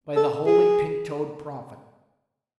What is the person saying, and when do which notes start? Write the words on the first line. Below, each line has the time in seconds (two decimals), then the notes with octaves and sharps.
By the Holy Pink-toed Prophet!
0.16 A4
0.46 G#4